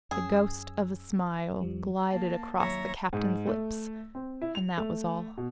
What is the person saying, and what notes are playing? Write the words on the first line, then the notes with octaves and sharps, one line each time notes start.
The ghost of a smile glided across the captain's lips, and that was all.
F#2 C#4 G#4 E6
F2 F3 G3
A#3 A5
D#2 F#3 C#5 E5 A#5 A#6
G#2
A3
C4
E4
F7
A3
B2